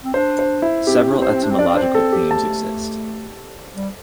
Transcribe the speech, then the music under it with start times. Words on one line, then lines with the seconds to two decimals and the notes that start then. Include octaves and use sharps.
Several etymological themes exist.
0.04 C4
0.14 D4 C5
0.39 C5
0.62 E4
0.87 C4 G4
0.95 D4
1.02 C4
1.11 D4
1.18 C4
1.22 C5
1.27 D4
1.35 C4
1.43 D4
1.51 C4
1.59 D4 D5
1.67 C4
1.74 D4 C5
1.82 C4
1.95 A4
2.12 G4
2.31 A3 A5
3.76 G3